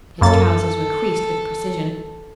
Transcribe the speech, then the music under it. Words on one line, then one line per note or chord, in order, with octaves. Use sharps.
His trousers were creased with precision.
F#2 A#3 A4 A6